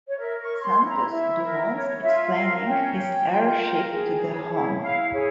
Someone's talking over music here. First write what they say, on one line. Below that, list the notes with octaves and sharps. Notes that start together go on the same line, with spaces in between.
Santos Dumont Explaining His Air Ship to the Hon.
C#5
A#4 E5
C#6
C#5
C#6
C6
E4
A#5
E4 E5
A#4
C#5
F4 E5
A#4 F5
C#4 G5
C#5
F4
A#4
G#4
C#5
E4
E4 F5
G#4 C#5